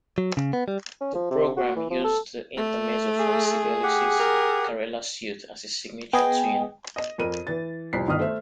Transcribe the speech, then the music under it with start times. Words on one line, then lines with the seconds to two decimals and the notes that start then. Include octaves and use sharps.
The programme used the Intermezzo from Sibelius's "Karelia Suite" as a signature tune.
0.18 F#3
0.37 C#3
0.53 B3
0.68 G3
1.01 C#4
1.15 F3
1.31 C3
1.57 F#4
1.76 E3
1.90 F3
2.04 A4
2.56 A3
3.19 G#4
3.83 G4 F#5
4.17 A#4
6.13 B3 G#4 D#5 G5
6.96 D#5
7.18 F2 A#4 D#7
7.47 E3 A6
7.93 C2 F2 B6 C7
8.08 G1 D#3 D#5 D#6 F6
8.19 A3 C5 E5